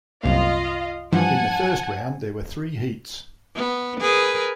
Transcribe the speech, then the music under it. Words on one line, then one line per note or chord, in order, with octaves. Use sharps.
In the first round, there were three heats.
C2 F#2 A#2 F4 D#5 F5
G2 E3 F3 F#5 G#5 A5
B3
G#4 A#4 B4